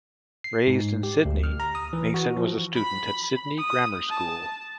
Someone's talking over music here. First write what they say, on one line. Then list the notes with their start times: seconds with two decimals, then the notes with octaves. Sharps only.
Raised in Sydney, Mason was a student at Sydney Grammar School.
0.44 C7
0.67 G#2
1.03 G4
1.25 D2
1.43 F6
1.60 A#5
1.75 D#6
1.93 E3
2.14 F#4
2.37 F3
2.75 B5
3.58 D#6
4.10 A5